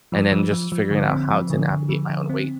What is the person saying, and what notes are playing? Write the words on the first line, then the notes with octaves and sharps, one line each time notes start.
And then just figuring out how to navigate my own weight
F3
F3
F3
F3
D3
C4
F3
D3
D3
F3
D3
C4